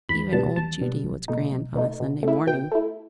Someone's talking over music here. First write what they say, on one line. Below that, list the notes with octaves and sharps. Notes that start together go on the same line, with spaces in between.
Even old Judy was grand on a Sunday morning.
E2 B5
B2 G3 B3 A5
E2 A5
B2 G3 B3
B1
B2 A3 D#4
B1
B2 A3 D#4
B2
A3 E4
B2 G5
A3 E4